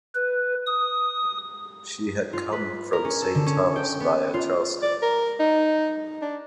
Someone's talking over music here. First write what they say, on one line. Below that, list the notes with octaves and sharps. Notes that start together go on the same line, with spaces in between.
She had come from St Thomas via Charleston.
B4
D#6
F4
B4
A#4
C#4
A4
D3
C#4
G5
B3
F4
D5
A#4
D#4
D4